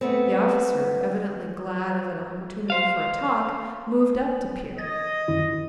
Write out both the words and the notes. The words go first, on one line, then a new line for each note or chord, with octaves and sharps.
The officer, evidently glad of an opportunity for a talk, moved up to Pierre.
A3 B3 C4
C5 F5
D#5 G#6 A6
F#2 D#3 E4